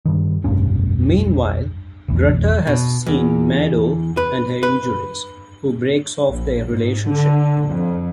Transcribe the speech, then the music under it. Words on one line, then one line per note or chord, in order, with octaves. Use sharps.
Meanwhile, Grutter has seen Mado and her injuries, who breaks off their relationship.
G2 D#3
F1 B1 G2 C#4
F1 B1 E2
B2
E2
B4
B4
A#1
G#2
D3
F2